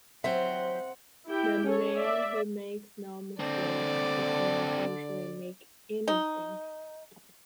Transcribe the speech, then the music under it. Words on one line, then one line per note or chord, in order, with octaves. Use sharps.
The man who makes no mistakes does not usually make anything.
F#3 C4 G4 C5 E5 F#5
E4 G4 G5
C#4 A4 C#5
D5 E5
D3 C4 D4 D5
D#4